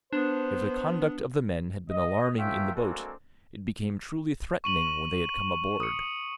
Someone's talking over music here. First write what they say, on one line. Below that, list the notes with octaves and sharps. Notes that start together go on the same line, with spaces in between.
If the conduct of the men had been alarming in the boat, it became truly threatening when they had come aboard.
B3 D4 C5
D#5
A#3 C#4 F4 A#4 E5 G5
G#3 A#3 C4 D4 F#4 A4
C#6 D#7 F#7
D#6 C#7